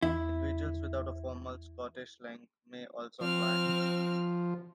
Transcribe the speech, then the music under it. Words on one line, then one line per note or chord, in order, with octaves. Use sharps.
Individuals without a formal Scottish link may also apply.
E2 E4
F3 C4 F6